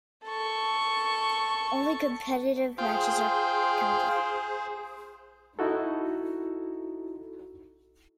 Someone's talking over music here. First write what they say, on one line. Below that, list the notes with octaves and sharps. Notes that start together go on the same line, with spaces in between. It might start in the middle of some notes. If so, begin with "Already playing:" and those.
Only competitive matches are counted.
A4 C#6
F4 G#4 C5 G5
D#4 E4 F#4 A4